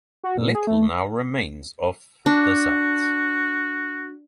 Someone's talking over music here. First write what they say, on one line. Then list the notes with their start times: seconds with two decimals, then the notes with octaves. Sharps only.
Little now remains of the site.
0.24 F#4
0.38 A#2
0.55 G#4
0.67 A3
2.26 D4 F#4